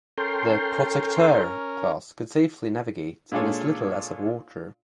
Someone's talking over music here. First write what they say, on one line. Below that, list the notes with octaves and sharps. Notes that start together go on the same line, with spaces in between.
The "Protecteur" class could safely navigate in as little as of water.
C#4 A4 A#4 G5 C6
A#2 G#3 D4 F4 A4 C#5